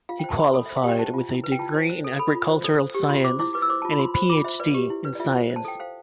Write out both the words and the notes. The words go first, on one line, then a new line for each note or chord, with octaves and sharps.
He qualified with a degree in Agricultural science and a PhD in science.
F4 F5
G5
C5
A5
C5 B5
A4
C5 E5
F5
G4 G5
C5 A5
F4
E4
B4
G5
F4 A5
C5
C5
A4
A4 B5
F4
C5
A4
C5
G4
F4 C6
C5 D6
E4 D6
B4 D6
E6
C5 D6
F4 A5
B5
F4 C6
C5 B5
F4 D6
C5 E5
B4 D5
G4
E4
B4
D5
F4 E5
C5
C5
A5
A4 G5
C5 F5